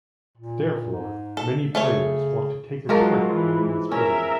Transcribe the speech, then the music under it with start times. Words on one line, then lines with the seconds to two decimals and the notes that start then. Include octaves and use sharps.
Therefore, many players want to take a trick when it is played.
0.37 A#2
0.92 G#2
1.37 A4
1.75 C#3 A3 A4 C#5
2.89 G#2 F3 F#3 F4 A#4
3.36 E3
3.92 C#4 A#4 E5